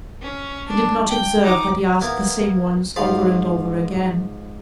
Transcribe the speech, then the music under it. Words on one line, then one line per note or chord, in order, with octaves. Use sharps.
He did not observe that he asked the same ones over and over again.
C#4
D4
G5
D#4 D6
A#3 B3 E4
G#2 F3 F5 B5